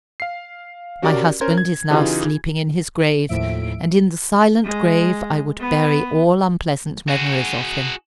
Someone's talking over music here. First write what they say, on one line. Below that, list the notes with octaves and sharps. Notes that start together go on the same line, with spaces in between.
My husband is now sleeping in his grave, and in the silent grave I would bury all unpleasant memories of him.
F5 C7
C#4 F#4 G4 A#4 D5
C#4 A#4 C5 C6 G#6
G#6
C#3 E3 D#4 F4 G4 G#4
D#2 A2 F3 E5 D7
G#3
B3
F#4 G#4